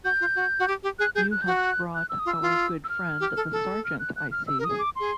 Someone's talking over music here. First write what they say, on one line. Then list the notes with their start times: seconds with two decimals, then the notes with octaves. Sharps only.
You have brought our good friend the sergeant, I see.
0.04 F#4 G6
0.20 F4
0.35 F#4
0.60 F#4
0.68 G4
0.83 G4
0.99 G#4 F#6
1.15 G#4 G6
1.31 F#6
1.42 G6
1.47 F#4 F#6
1.95 F#6
2.09 E6
2.19 D#6
2.26 F4
2.29 E6
2.42 F4
2.84 E6
2.89 F6
3.20 G4
3.36 A4
3.52 A4
3.85 F6
4.00 F#6
4.16 F#6
4.31 F6
4.47 E6
4.59 A#4
4.64 G#4 D#6
4.79 D6
4.96 G#4 C6